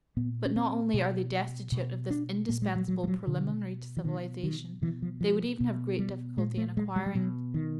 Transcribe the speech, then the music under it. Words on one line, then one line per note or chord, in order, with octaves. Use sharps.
But not only are they destitute of this indispensable preliminary to civilization, they would even have great difficulty in acquiring it.
A#2 B3
C#4
C4
B2
B2
D4
A#2 A#3
G#3
F#3
F#3
G3
F#3
B2 D3
E3
B2 D#3
D#3
B2 E3
F3
F3
B2
G3
A#2 G#3
A3
G#3
G3
G3
B2 F#3
D#3